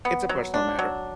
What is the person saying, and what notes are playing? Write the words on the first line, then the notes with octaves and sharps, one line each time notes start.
It's a personal matter.
B3
F#3
D4
F#3